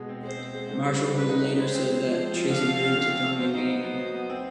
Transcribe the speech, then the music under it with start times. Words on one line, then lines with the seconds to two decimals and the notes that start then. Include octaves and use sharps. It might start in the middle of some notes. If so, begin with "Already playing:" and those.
Marshall, who later said that Chase admitted to throwing a game.
Already playing: B2 G#3
0.09 C4
0.24 G#3 C5
0.39 C4
0.54 G#3
0.69 D3
0.83 G3
0.98 G3
1.14 D3 B4
1.29 D#4
1.45 D#4
1.59 G#3 C5
1.74 C4
1.89 G#3
2.04 F3
2.19 G#3
2.34 F3
2.49 D3 F5
2.63 A3
2.79 C4
2.95 D3
3.09 C4
3.24 A3
3.38 F#3 C5
3.54 D#4
3.70 B3
3.84 B3 C5
3.99 F#3
4.14 B3
4.30 C4